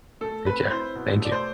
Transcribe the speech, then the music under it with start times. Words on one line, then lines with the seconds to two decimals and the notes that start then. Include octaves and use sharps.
Take care, thank you.
0.21 A3 A4
0.46 C4 B4
0.71 E4 C5
0.95 B2
1.20 A3 D5
1.32 C5